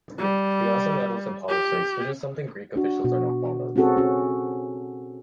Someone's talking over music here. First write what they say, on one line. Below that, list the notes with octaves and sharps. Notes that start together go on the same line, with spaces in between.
He also meddles in politics, which is something Greek officials are not fond of.
G3
G4
D4 F#4
B2 F#4
C4 C#4 F#4 G#4 A4
C#4 F#4